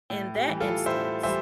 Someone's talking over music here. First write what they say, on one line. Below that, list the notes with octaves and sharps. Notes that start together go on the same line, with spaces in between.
in that instance,
A2
G4
E3 G3
F4 A4
A2 C5 E5
E3 G3 C5 E5